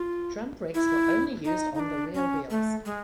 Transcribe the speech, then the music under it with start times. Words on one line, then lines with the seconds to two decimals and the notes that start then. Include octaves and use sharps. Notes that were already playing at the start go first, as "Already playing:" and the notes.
Drum brakes were only used on the rear wheels.
Already playing: F4
0.75 E4
1.45 D#4
1.74 D#4
1.80 D4
2.14 C#4
2.50 A3
2.85 G#3